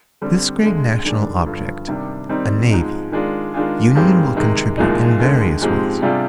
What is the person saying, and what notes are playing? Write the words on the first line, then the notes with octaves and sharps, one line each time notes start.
To this great national object, a NAVY, union will contribute in various ways.
D3 G3 C4
D2 D3 G#3
D#3 G3 D4 G#4
G2 D3 F3
C3 D#3 G3 D4
D#3 G3 C4 D#4
G#2 F3 G#3 D#4
D#3 G#3 D4 F4
D#3 G#3 D4 F4 G#4
G2 D#3 G#3 C4 G4
C3 D#3 G#3
C2 A#2 F3 G#3 D#4
D#2 D3 G#3
G#2 F3 G#3 C4 G4
C3 G3 D4 F4 G#4